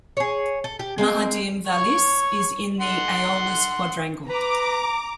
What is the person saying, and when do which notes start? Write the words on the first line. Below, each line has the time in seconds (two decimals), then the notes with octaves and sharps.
Ma'adim Vallis is in the Aeolis quadrangle.
0.17 G#4 C#5
0.64 A4
0.79 G4
0.98 G#3 A#3 C4
1.67 C#5
2.80 F#5 C6
4.29 B4 A#5 D6